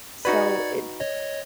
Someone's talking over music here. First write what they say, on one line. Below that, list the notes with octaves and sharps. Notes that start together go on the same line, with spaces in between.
So it
D#4 F#4 B4 D5 G#6 C#7
C#5 D#5